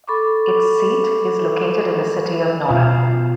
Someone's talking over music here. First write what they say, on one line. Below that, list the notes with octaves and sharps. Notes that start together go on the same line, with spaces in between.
Its seat is located in the city of Nora.
A4 B5 C#6 D6
B2 F4 F5